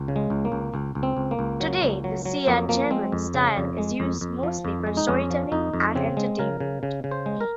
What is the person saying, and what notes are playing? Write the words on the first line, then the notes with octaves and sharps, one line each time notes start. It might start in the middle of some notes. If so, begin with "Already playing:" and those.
Today, the Siya Cheman style is used mostly for storytelling and entertainment.
Already playing: C#2
C#3
G#3
C#2
A#3
C#2
C#2
C#2
C4
C#2
A#3
C#2
F#3
C#2
F#3
F#3
F2 A#3
F3 A#3
G#3 C4
F2
C#3
F2
G#3
F2
F2
F3
F2
G#3
D#4
F2 C#4
F3
F2 D#4
F2
C#3 C4
G#3
C#3 A#4
C#3
C#3
C#3
C5
G#3
A#4